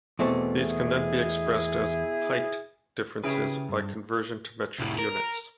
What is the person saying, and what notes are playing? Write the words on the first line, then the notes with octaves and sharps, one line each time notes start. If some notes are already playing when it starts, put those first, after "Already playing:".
These can then be expressed as "height" differences by conversion to metric units.
E2 B2 E3 A3 C4
E4 G#4
C#3 C#4 E4 G4 G#4 B4
G2
C2 A2
A#4